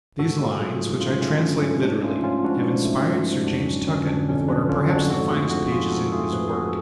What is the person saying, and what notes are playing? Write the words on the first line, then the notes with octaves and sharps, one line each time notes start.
These lines, which I translate literally, have inspired Sir James Tuckett with what are perhaps the finest pages in his work.
G#2 F#4 A4
A3
F#3 F4 G#4
G#2
G#2 C#4 F4
A3 C#4 F4
F#3 D4
G#2 C#4
G#2 D4
A3 C#4 F4
F3 C#4 F4
G#2 D4 F#4
G#2
A3
F3
G#2
F2 D4 F#4
F#3 C#4
D3 C#4 F4
F2 D4
F2 C#4
F#3 D4
D3 C#4 F4
F2 D4 F#4
G#2 F#4 A4
A3 F4 G#4
F3 D4 F#4
G#2 F4 G#4
G#2 F#4 A4
A3 F4 G#4
F3 G#4 B4
G#4
G#2 F#4 A4